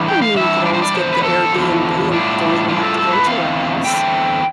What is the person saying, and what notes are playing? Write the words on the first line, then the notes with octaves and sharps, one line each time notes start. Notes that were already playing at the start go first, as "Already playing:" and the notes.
I mean, you could always get the Airbnb and don't even have to go to her house.
Already playing: A2 E3 G3 D4
G5
F5
A2 E3 G3 D4 E5
D5
C5
D5
E2 D3 F3 C5
B4
A4
E2 D3 F3
A2 G3 D4 F4
A2 G3 D4 F4
A4
A4
B4
E2 D3 A3 C4 F5
E2 D3 A3 C4 G5